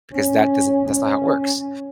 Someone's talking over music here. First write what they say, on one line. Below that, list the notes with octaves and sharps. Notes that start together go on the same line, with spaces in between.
because that doesn't that's not how it works.
C#4
C#4